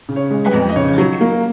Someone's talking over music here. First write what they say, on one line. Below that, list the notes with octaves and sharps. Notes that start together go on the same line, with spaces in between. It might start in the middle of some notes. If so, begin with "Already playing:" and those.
and I was like
C#3
C#5
G#3
B4
F2
D#5
C#3 C#5
F#3
A#3